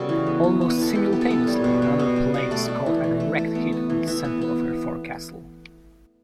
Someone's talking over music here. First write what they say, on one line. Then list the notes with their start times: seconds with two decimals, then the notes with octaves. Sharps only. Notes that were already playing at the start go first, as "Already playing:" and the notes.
Almost simultaneously another plane scored a direct hit on the center of her forecastle.
Already playing: C#3 G3 B3 F#4 A4
0.09 E3
0.26 B3
0.44 B3
0.61 B3
0.70 B4
0.78 E3 A4
0.95 E3 G4
1.13 B3
1.21 A4
1.30 B3
1.47 G3 C#5
1.64 B2
1.82 B3
1.99 B2
2.16 G3
2.34 B2
2.51 A3 D5
2.68 A3
2.86 E3
3.04 E3
3.20 A3
3.38 A3
3.55 B3
3.72 B3
3.90 E3
4.07 E3 E5
4.25 B3
4.41 B3